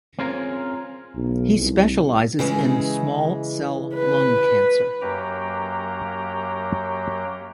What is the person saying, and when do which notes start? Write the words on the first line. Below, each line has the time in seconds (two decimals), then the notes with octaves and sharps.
He specialises in small cell lung cancer.
0.19 C4 C#4 F4 G#4 A#4
1.15 B1
1.58 C2
2.39 C#3 E3 G#3
3.95 B4
5.02 F#2 F#3 A#3 G4 G5 A#5